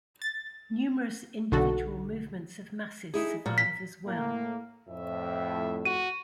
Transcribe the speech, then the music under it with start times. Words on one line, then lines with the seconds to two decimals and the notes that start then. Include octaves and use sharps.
Numerous individual movements of masses survive as well.
0.22 A6
1.52 B1 D3 F#4 A4
3.14 D#4 E4 G#4
3.46 A#2
3.58 B6
4.07 A2 A#3
4.89 F2 A2 E5
5.85 F#4 D#7